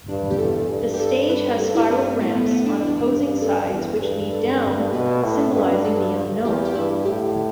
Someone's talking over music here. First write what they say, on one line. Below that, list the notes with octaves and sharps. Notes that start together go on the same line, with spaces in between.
The stage has spiral ramps on opposing sides which lead down, symbolizing the unknown.
G2 D4
G4
E2 A4
G2
G4
A4
B4
G2 A4
E4
B3
A2 A3
B3
A3
B3
D4
E4
E2
D4
G2
A4
E2
A4
G2 B4
A4
B2 B4
A2
A4
G2 B4
A4
E2 G4
G4
G2 E4
A2 G4